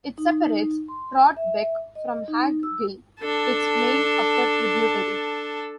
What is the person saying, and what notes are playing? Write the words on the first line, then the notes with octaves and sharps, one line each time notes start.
It separates Trout Beck from Hagg Gill, its main upper tributary.
D#4
C6
E5
D#5
D#4
E6
D4 A4